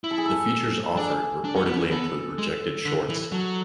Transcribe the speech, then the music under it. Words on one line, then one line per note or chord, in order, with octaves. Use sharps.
The features offered reportedly include "rejected shorts".
E4
A4
G#4
A4
D4 G#4
D4
C#4
B3
C#4
B3 A4
G#3
D3
E3
F#3 A4